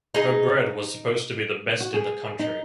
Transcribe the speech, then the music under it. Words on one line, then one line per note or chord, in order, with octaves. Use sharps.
Her bread was supposed to be the best in the country.
D#4 G#4
F#4
G#4
D#4